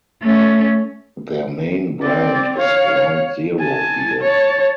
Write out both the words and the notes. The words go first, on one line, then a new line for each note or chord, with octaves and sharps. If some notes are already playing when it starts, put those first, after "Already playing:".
Their main brand is Ground Zero Beer.
A3 C#4
C4 D5
C#5 F5
G#5 A5
C#5 A5